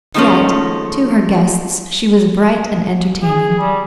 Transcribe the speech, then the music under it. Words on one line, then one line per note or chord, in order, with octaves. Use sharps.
Yet, to her guests she was bright and entertaining.
D#3 F3 G#3 A3 C#4
G#4
G3